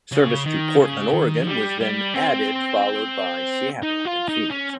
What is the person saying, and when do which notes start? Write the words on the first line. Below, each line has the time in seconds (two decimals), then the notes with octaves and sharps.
Service to Portland, Oregon was then added followed by Seattle and Phoenix.
0.12 C#3
0.46 D#3
0.79 C#3
1.13 D#3
1.42 F3
1.47 G3
1.81 G3
2.14 C4
3.83 D#4
4.05 F4
4.28 D#4
4.51 C#4